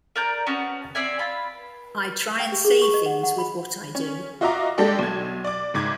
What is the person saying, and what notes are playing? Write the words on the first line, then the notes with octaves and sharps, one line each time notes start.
I try and say things with what I do.
A#4 D5 A#5 G6
B3 C#4 F#4 A5
C4 D5 E5 G#5
F4 B5
G5
G4
G#4
C#6
D#5
F#5
F#5
B5
C#4
F4 F#4 D#5 E5 A#5 D6
G#3 D4 G4 A4 D5
B1 G#6
D5 D6
F#1 G#2 D6 G#6